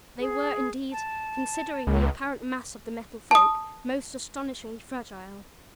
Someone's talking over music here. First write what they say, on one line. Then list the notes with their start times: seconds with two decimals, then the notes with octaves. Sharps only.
They were indeed, considering the apparent mass of the Metal Folk, most astonishingly fragile.
0.19 G#4
0.92 A5
1.87 C#2
3.31 A5 D#6